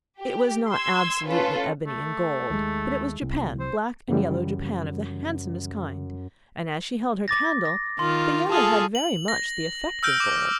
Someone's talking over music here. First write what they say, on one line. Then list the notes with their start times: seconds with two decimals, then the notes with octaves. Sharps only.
It was not absolutely ebony and gold; but it was japan, black and yellow japan of the handsomest kind; and as she held her candle, the yellow had very much the effect of gold.
0.19 G4
0.70 C6 E6 G#6
1.26 C#4 F4 A4 B4
1.87 A3
2.50 D#2 G#3
3.22 C2
3.60 C5
4.09 F#2 C#3 E3 G3
7.28 D6 A6 A#6
7.65 A#6
7.99 D#3 F4 C6
8.50 F4 G#4 A4 A5 D#6 F6
8.95 F#7
9.28 A#6
10.03 E6 F6 G6 D7
10.20 D6